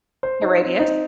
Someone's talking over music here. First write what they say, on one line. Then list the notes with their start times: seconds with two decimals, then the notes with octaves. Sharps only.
The radius.
0.23 C5
0.42 D#4
0.61 C4
0.79 D#4